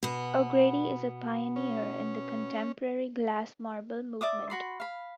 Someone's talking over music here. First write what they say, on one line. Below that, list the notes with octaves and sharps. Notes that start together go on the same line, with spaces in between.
O'Grady is a pioneer in the contemporary glass marble movement.
B2 B3
C#4
D5 E5 D6 D#6
F#4 B5 C6
F5 B5